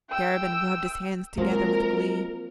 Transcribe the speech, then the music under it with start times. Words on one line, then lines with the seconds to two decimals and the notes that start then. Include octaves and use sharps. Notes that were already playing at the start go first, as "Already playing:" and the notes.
Garabin rubbed his hands together with glee.
0.10 G5 E6
1.38 F3 F#3 G#3 A#3 C4 A#4